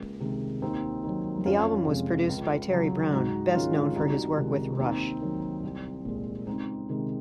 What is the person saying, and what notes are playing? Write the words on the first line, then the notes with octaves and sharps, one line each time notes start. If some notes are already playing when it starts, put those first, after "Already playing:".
The album was produced by Terry Brown, best known for his work with Rush.
Already playing: C#2 A#3 C#4
C3 D#3 G#3
D#2 C4 D#4
D#3 F#3
F2 C#4 F4
C3 F3 G#3
C#2
C#3 F#3
G#2 D#4 F#4
D#3 G#3 C#4 F4
C2 D#4 F#4
C3 D#3 G#3
D#2 C4 D#4
D#3 F#3
C2
A#2 G#3
C#2 C4 D#4
C3 D#3 G#3